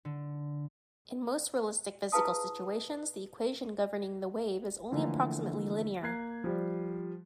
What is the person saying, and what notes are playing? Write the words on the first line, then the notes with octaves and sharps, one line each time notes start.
In most realistic physical situations, the equation governing the wave is only approximately linear.
D3
E4 G#4 B4 F5 A5 D#6
D3 E3 F3 A3 A#3
A#3 F#6 G#6 C7
F3 G3